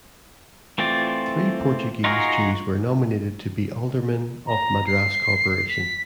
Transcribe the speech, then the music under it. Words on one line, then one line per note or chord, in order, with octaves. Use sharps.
Three Portuguese Jews were nominated to be aldermen of Madras Corporation.
E3 A3 C4 F4 D5
D#4 F4 F#4 G#4 A#4
A#5
C7
B6